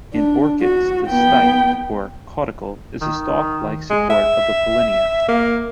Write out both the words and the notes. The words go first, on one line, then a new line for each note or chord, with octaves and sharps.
In orchids, the stipe or caudicle is the stalk-like support of the pollinia.
D4
F#4
B3 G5
D#3
G#3
E5
A#3